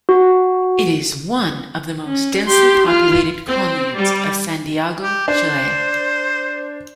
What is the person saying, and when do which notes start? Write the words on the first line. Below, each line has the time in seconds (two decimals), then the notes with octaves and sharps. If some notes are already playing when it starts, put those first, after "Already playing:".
It is one of the most densely populated communes of Santiago, Chile.
0.09 F#4
2.05 C#4
2.47 G4 C6
2.87 F4 F6
3.46 C4
3.96 G3
5.03 G4
5.28 D4 C5